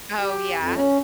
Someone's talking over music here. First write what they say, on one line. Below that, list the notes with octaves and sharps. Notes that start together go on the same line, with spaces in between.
Oh, yeah.
G4
F2
C#4